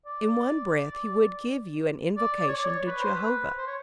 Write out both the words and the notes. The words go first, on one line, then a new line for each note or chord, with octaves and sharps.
In one breath he would give you an invocation to Jehovah.
D5
D5
D5
C#5
D5
C#5
B4
C5
B4
C5
C#5